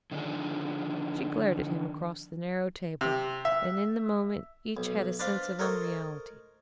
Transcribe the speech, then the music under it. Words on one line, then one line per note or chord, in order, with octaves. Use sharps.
She glared at him across the narrow table, and, in the moment, each had a sense of unreality.
D3 D#3 F3 D4 G#4
C3
E5
B1
D4 B4 C5 D5 F5
A4 A#4 C5 C#5 D#5